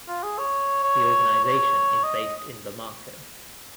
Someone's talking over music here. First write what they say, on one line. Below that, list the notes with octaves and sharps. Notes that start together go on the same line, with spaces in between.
The organization is based in Bamako.
F4
G#4
C#5
C#5
C#5
D#5